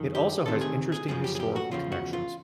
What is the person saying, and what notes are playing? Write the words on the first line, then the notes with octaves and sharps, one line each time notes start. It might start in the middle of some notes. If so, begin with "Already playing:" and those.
It also has interesting historical connections.
Already playing: F#2 D#3
G4
D2 C3 D#3 A4
G#4
G#4
F#2 C#3 F3 G#4
G4
G#4
G4
F#4
E2 C#3 F3 F4
F#4
F4